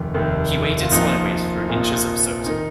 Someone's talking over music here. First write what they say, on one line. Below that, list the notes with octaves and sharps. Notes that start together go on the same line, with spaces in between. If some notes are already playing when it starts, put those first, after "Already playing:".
He waded sideways through inches of soot.
Already playing: F1 D#2 D#3
F1 D#2 D#3
F4
A#1 A#2 F3 D#4
A#1 A#2 F3
D#3 D#4